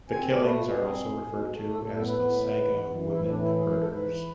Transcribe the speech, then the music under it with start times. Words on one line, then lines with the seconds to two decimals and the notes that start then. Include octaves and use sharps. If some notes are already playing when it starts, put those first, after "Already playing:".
The killings are also referred to as the Saga Women Murders.
0.10 C4 G#5
0.33 A3 D5
0.45 B4
0.56 B2 F4
0.68 G#4
0.80 C4
1.02 B2
1.25 B2
1.49 A3
1.71 A2 A4
1.83 A4
1.95 B3 A4
2.06 B4
2.18 A2
2.41 B3
2.64 E3
2.86 E3
3.10 A2 E4
3.25 D4
3.33 E3
3.41 E4
3.56 G#2 G#4
3.68 G#4
3.79 G#2 A4
3.91 B4
4.02 E3